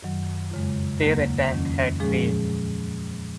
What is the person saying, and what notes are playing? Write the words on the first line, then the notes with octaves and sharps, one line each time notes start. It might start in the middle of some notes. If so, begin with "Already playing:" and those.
Their attack had failed.
F#2 D#3 F#3
F2 C#3 G#3
D#2 C#3 F#3 A#3
F2 D#3 F#3 C#4
A#2 F3 G#3 C#4 G#4